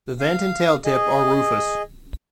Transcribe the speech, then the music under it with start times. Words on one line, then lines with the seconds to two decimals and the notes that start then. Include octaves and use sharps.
The vent and tail-tip are rufous.
0.20 F5
0.85 G#4 D#5